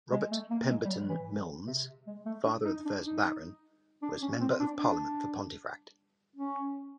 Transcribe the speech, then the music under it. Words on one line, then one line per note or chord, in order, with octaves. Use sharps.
Robert Pemberton Milnes, father of the first Baron, was Member of Parliament for Pontefract.
G#3
A3
A#3
G#3
G3
F#3
E3
C3
G#3
A3
D4
D#4
D4
D#4
D4
C#4
C4
D4
D4
C#4